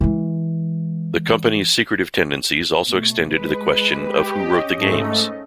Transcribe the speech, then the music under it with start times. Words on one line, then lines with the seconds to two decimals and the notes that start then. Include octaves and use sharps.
The company's secretive tendencies also extended to the question of who wrote the games.
0.01 E3 G#3
2.88 B2 A3
3.34 G#3 B4
4.06 G4
4.43 C#4 D#5
4.78 G#2 A3